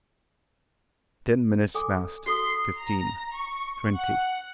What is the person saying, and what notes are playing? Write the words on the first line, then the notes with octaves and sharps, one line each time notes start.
Ten minutes passed, fifteen, twenty.
A4 G#5 D6
F#4 A4 C6 D#6
A#5
C#6
F#5